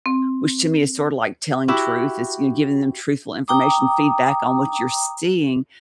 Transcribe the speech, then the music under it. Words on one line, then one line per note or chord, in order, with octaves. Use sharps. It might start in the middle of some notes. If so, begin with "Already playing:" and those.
which to me is sorta like telling truth is you giving them truthful information feedback on what you're seeing,
C4
E4 F#4 G4 E5
G5 A#5 D6 D#6